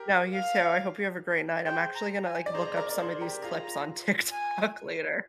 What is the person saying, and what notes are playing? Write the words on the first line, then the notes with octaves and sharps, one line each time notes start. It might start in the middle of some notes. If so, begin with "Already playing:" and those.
No, you too, I hope you have a great night. I'm actually gonna, like, look up some of these clips on TikTok later.
Already playing: G4 A#4
F5
G#4 C5 G5
A#5
G#5
D5
G#4 C5 A#5
A#4 D5
D5
G#4 C5
G4 A#4
F4 G#4 A#5
G#5